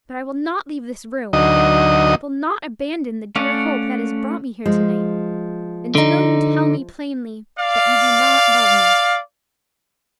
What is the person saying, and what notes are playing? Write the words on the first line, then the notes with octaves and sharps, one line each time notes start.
But I will not leave this room, I will not abandon the dear hope that has brought me here to-night, until you tell me plainly that you do not love me.
D2 F#3 D#4 D#5
A3 C#4 D5 F5 F#5
F3 G#3
D3 D#4
D5 F5